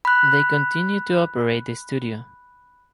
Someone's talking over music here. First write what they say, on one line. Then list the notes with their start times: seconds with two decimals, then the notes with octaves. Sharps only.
They continue to operate the studio.
0.05 B5 F#6